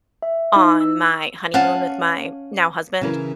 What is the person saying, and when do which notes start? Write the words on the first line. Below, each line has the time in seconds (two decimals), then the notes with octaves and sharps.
on my honeymoon with my now husband,
0.22 E5
0.56 D#4
0.81 E6
1.54 C#4 F5 F#5 A5
3.01 C#3 E3 A#4